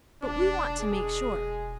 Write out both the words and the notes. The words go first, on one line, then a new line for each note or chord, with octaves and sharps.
But we want to make sure.
E1 D4
G#3 G#4